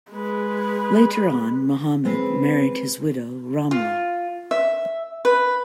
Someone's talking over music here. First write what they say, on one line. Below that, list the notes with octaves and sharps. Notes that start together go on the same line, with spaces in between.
Later on Muhammad married his widow, Ramlah.
G#3 B4
G#3 C4 B4
F4
E5
B4